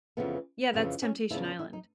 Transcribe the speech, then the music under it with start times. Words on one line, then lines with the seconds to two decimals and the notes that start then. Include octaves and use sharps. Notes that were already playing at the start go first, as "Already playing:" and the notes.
Yeah, that's Temptation Island.
0.17 F2 C#3 E3 B3
0.74 F2 C#3 E3 C4
1.02 C#4
1.31 E2 C#3 F3 E4
1.45 F4
1.59 E4
1.73 D#4